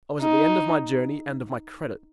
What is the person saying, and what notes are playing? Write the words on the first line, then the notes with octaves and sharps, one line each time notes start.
I was at the end of my journey and of my credit.
D#4